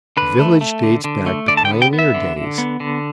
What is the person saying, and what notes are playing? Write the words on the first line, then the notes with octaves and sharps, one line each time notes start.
The village dates back to pioneer days.
D3 B4
A3
A3
D3
D3
A3
D3 D5
A5
G5
B3
G5
B3
E5
D3
D3
B3
D3